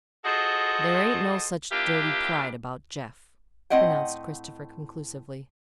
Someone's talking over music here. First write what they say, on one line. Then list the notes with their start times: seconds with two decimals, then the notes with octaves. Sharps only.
"There ain't no such dirty pride about Jeff," pronounced Christopher conclusively.
0.25 F4 F#4 G#4 A4 C5 D#5
1.72 A#3 D4 E4 F4 G4
3.70 A2 C4 D#5 F#5 G5